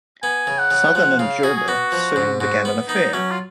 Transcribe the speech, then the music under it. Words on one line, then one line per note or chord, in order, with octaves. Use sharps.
Southern and Gerber soon began an affair.
B3 G#5
C#3
F#5
C#3
F3 F#5
C#3 F5
F#4 G#4
G#4
B3 F#4
F3
G#2
G#2 F#4
B3
B3 D#4
F#3 C#4
F4